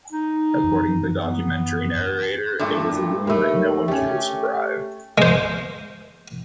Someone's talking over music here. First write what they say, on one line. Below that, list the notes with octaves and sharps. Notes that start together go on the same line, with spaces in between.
According to the documentary narrator, It was a wound no one could have survived.
D#4
F#2 E3
B3
G2 A#2 A3
D#2 A2 A3
A3 C#4 G4
G#3 C5